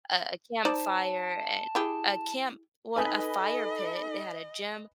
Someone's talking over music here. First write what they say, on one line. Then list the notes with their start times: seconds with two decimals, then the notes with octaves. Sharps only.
a campfire and a camp well, a fire pit. They had a gym,
0.65 D#4 C5 D5 A5
1.75 E4 G4 G#4
2.96 D#4 A4 B4 D#5 G#5 B5 D#6